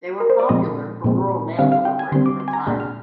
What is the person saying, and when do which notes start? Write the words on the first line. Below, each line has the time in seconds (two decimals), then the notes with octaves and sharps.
They were popular for rural mail delivery for a time.
0.20 A#4
0.30 C5
0.40 D5
0.49 A#2 F3 G#3 C4 D#5
1.04 A#2 F3 G#3 C4
1.59 D3 G3 C4 F5
1.72 F5
1.85 G5
1.99 G#5
2.12 D3 G3 C4 C6
2.26 D6
2.40 C6
2.48 G#5
2.53 A#5
2.67 A#2 G#3 D4 G6
2.80 F6